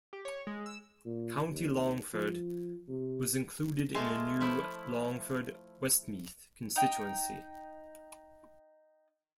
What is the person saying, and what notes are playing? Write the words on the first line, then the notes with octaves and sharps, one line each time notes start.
County Longford was included in a new Longford-Westmeath constituency.
G4
C#5
G#3
E6
A#2
D#2
F3
C3
G#3 A3 F4 F5 A5
F3 A3 E4
D#4 G5